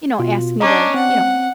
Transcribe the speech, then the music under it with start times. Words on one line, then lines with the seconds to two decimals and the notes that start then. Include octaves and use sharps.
you know, ask me to, you know,
0.19 B2 F4
0.60 C#4 D4 D#5 A#5 D6
0.94 C4 F#5